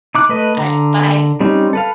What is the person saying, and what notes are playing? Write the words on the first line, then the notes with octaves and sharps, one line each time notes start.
Alright, bye.
D#4 D6 F#6
A3 B4 D#5
D3 A#5
G3 C4 C#4 D#4
A4 B4 F5